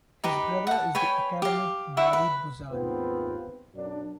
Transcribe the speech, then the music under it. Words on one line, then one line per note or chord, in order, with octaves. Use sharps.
His brother is the academic Barry Buzan.
D#4 G4 B4
F#5 A5
B4 C#5 G5 G#5
G4 F5
E4 E5 F#5 C#6
B4
D#2 G#2 B3 C4 F4 B4
B1 F#2 F#3 D4